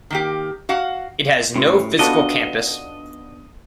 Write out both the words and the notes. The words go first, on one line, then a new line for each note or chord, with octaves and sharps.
It has no physical campus.
D#3 A#3 G4
F#4 F5 F#5
A2 C#4 F#4 A#4
B3 D4 D#4 F4 F#4 A4 D#5 A5